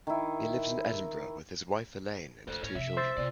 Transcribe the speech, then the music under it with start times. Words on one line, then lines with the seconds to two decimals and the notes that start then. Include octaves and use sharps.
He lives in Edinburgh with his wife, Elaine, and two children.
0.07 D#3 E4
2.48 D2 G2 A4 C5
2.63 A2 C#4 C#5
2.75 C3 F3 E5
2.97 C5 E6 A6
3.17 C3 B3 F4 D5